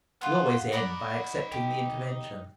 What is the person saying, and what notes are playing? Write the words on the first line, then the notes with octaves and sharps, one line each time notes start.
We always end by accepting the intervention.
B3 F4 B4 C6
D#4 D5 F#5 A#5 B5
G4